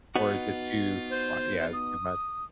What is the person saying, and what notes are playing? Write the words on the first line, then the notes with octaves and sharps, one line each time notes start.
Or is it too qu yeah. It's too much.
B3 D#4 F4 F#4
C5
D#6